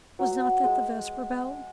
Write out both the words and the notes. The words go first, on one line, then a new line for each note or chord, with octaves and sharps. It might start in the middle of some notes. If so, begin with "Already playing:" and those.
Was not that the vesper-bell?'
F#3
G#3